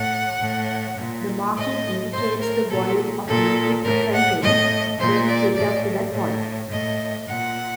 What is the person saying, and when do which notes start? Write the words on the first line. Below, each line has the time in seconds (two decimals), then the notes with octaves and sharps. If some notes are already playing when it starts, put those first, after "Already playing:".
The marking indicates the volume of liquid contained when filled up to that point.
Already playing: A2 F#5
0.41 A2
0.97 A#2
1.55 A2 D#5
2.12 A2 C5
2.41 A#4
2.69 A#2 A4
3.27 A#2 A4
3.84 A2 A#4
4.12 F#5
4.41 A2 D#5
4.99 A#2 C5
5.27 D5
5.56 A2 D5
6.13 A2
6.70 A2 D#5
7.28 A#2 F#5